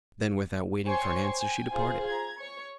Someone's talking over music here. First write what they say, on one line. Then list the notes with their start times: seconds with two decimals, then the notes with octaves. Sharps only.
Then, without waiting for an answer, she departed.
0.85 C5 C#5 G5 G#5 C6 C#6
1.38 G5 G#5
1.73 F4 G#4 C5
2.06 A#5 G#6
2.38 C#5 C#6